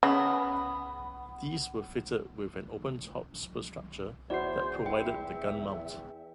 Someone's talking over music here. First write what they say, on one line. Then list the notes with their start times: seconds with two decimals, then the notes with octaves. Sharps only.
These were fitted with an open-top superstructure that provided the gun mount.
0.03 C#3 B3
4.30 E2 D#4 E4 F#4 C5 D5 C7
4.86 E4 E5 G5